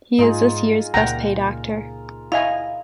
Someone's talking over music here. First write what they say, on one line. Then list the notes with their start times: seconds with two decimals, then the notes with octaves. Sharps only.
He is this year’s best paid actor.
0.18 G#2 D#4 F4 G#4
0.94 C#2 A#2 A#4 F#5 G5 A#5
2.32 E4 D#5 F5 G#5